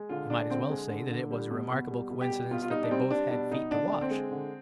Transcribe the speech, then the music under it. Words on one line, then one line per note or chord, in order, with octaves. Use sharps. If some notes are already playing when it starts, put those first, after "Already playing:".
You might as well say that it was a remarkable coincidence that they both had feet to wash.
Already playing: G#3
D3 F4
G#3 D4
D3 C4
G#3
D3
D3
G3
B2
B2
G3
B2
G4
G3
B2 F4
F4
G3 D#4
D4
G3 C4
G3 D4
B2 D4
B2 D#4
D3 D4
D3
C4
G#3
D3